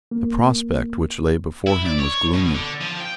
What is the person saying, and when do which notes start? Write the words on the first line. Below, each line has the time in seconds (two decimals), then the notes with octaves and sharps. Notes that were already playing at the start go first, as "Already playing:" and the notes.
The prospect which lay before him was gloomy.
0.11 A#3
1.67 E4
1.86 D5
2.00 C#5
2.34 B2
2.55 D3
2.82 F3
3.01 G5